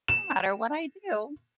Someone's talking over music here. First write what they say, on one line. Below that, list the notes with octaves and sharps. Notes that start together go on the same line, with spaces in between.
no matter what I do,”
E7